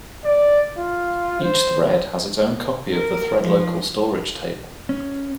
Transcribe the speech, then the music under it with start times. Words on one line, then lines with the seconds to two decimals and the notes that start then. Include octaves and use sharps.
Each thread has its own copy of the thread-local storage table.
0.25 D5
0.78 F4
1.41 C5
2.92 A#4
3.39 F3
4.89 C#4